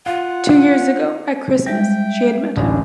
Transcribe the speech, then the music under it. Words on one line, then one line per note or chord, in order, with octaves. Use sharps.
Two years ago, at Christmas, she had met him.
F4 F5 F#5
G3 G#3 E5 G5
D1 A1 D4